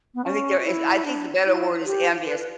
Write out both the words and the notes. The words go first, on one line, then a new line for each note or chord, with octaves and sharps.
I think there is I think the better word is envious.
B3
C#4
F#4
E4
D4
E4
G4
B4
B4